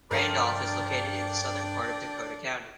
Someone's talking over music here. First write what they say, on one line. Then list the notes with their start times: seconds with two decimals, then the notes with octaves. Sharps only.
Randolph is located in the southern part of Dakota County.
0.11 G2 F3 A3 D4 A#4 D5 G5